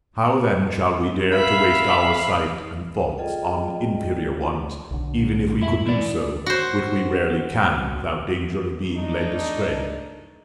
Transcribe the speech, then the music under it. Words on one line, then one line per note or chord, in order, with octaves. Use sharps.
How then shall we dare to waste our sight and thoughts on inferior ones, even if we could do so, which we rarely can, without danger of being led astray?
E5 F5 B5
F4 G#4 A4 D5 D#5 G5
F4
B1 D3
F2 B2 G#3 E4 E5
E3 E4 D5
F#4 C5
A3 D4 D#4